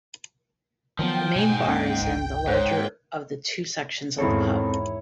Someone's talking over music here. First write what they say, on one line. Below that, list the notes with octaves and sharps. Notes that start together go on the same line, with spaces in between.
The main bar is in the larger of the two sections of the pub.
D#3 F3 F#3 B3 G5
G#2 B2 G#5
D2 A#3 C#4
G1 C#2
G#2 C5 C#5
E2 G#2 D#3 C4 E4 A4 C#5